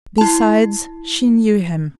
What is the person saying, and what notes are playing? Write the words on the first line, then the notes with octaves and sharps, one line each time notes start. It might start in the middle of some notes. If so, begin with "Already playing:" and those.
Besides, she knew him.
E4 A5